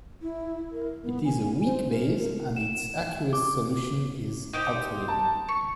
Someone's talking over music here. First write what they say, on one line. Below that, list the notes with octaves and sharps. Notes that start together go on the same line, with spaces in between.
It is a weak base and its aqueous solution is alkaline.
E4
A#4
B3
G#5
C5
A#4
A#4
E7
D6
D#4 G4 C5
A5
C#6